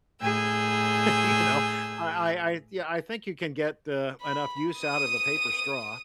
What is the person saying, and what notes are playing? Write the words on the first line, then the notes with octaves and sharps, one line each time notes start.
you know, I I I, yeah, I think you can get, uh, enough use out of a paper straw,
A2 G#4 G#5 E6 G6
B5
D#6 D#7